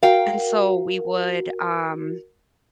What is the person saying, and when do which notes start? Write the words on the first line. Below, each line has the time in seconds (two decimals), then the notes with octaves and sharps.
and so, we would, um,
0.03 F#4 A#4 F5 G5